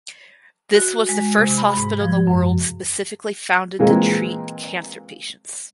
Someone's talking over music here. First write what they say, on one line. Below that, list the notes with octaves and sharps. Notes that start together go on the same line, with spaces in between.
This was the first hospital in the world specifically founded to treat cancer patients.
F#4
G#3
C3
B5
G#2
F3
F#2
A#2 E3 G#3 A#3 C4 G#4